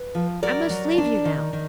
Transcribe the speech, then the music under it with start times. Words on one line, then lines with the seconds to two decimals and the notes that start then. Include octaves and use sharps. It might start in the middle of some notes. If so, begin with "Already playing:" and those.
I must leave you now.
Already playing: B4
0.15 F3
0.43 F#3 A#4 D5
0.70 F#3
0.98 D4
1.25 D#3
1.53 D#3